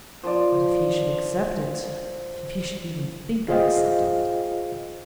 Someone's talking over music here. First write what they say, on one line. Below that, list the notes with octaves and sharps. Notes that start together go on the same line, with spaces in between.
"But, if he should accept it; if he should even think of accepting it!"
F3 D5
F4 G#4 C5 D#5 F5 G5